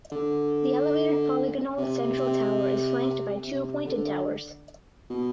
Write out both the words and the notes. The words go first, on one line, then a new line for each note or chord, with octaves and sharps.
The elevated polygonal central tower is flanked by two pointed towers.
D3
C3
C3
C3
D3
B2